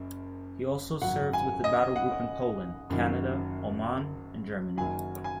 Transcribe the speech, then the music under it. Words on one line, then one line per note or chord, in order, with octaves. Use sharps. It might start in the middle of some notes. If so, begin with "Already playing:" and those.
He also served with the Battle Group in Poland, Canada, Oman and Germany.
Already playing: F#1 F#2
G#1 F#2 C#3 F#3 F#5
G#5
D#5
F#5
F#1 F#2 D#3 F#3
F#1 F#2 D#3 F#3 G#5
G#5